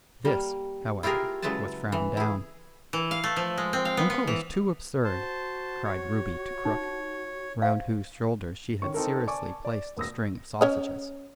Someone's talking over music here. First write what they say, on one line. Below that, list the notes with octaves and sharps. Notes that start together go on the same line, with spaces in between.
This, however, was frowned down. "Uncle is too absurd," cried Ruby to Crook, round whose shoulders she had seriously placed a string of sausages.
G3 A#3
E4 F4 G4 G#4 A#4
C#3 F#3 G#3 E4 B4 A5
E3
E4 G#4
E3
F5
A3
F3
G#3
C4
F5
B3
B3
E3
F#4 C5 A5
C#5
D#4
C5 F5
D#3 C#4 C#6
C4 D#4 A4 A#4
D5 G#5 A5 C#6 D6
D5
E1 A#3 D#6 E6 A#6
C#4 C#5 D#5